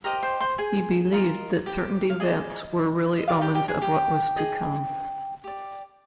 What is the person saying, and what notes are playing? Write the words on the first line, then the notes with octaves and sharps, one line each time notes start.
He believed that certain events were really omens of what was to come.
G4 A#4 C5 D#5 A#5
C5 C6
C5 C6
G#4 G#5
F4 A#4 D#5
G4 G5
F5
G#4 D5 D#5
D#5
G4 A#4 D5 F5
G4 G5
G4 G5
G#4 G#5
G4 G5
G#4 D#5
G4 D5